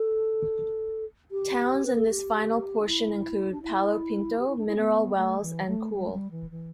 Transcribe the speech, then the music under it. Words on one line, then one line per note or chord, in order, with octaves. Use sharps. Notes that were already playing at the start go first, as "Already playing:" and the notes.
Towns in this final portion include Palo Pinto, Mineral Wells and Cool.
Already playing: A4
G4
B4
A4
G4
D4
E4
D4
E4
G4
E4
D4
E4
B3
A3
E3
A3
G3
A3
G3
E3
E3